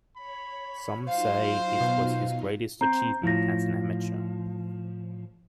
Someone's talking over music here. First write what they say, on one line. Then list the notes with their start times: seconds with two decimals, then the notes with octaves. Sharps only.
Some say it was his greatest achievement as an amatuer.
0.17 C#5 B5
1.07 F#3 D#4 F4 C5 F5
1.80 B2
2.81 C4 A#5 G6
3.23 A2 F3 E4 A#6